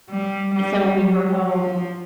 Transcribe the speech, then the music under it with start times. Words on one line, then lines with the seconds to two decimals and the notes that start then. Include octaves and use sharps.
so we were home
0.10 G3
0.55 G3
0.99 F#3
1.45 F3